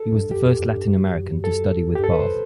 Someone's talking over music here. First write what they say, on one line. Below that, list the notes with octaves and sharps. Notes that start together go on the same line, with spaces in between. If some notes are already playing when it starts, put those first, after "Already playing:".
He was the first Latin American to study with Barth.
Already playing: A4
G2
F#2 G4
F#2
F#2
G2
F#2
A4
G4
G2 A4
B4
F#2 C5